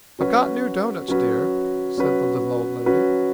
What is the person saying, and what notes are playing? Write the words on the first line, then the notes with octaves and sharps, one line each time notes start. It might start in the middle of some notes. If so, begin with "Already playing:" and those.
"I've got new doughnuts, dear," said the little old lady.
F#3 C#4 F#4 B4
F#3 C#4 F#4 B4
F#3 C#4 F#4 B4
F#3 C#4 F#4 B4